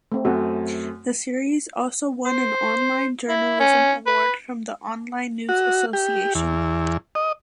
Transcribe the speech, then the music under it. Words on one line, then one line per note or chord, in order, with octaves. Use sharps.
The series also won an Online Journalism Award from the Online News Association.
A3 C4
F#2 A3 C4 F#4
C5
E4
C#4
B4
F#4
G4
E2
D#5